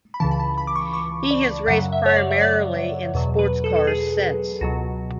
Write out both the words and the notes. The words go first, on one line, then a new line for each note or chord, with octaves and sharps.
He has raced primarily in sports cars since.
B5
C#2 C#3 E3 A5
B5
A5
B5
D6
C#6
C#6
D5
F#2 C#3 F#3 F#5
E5
C#5
D5
E5
D5
E2 B2 F#3
B4
A4
A4
G#4
C#2 B2 F#3 F#4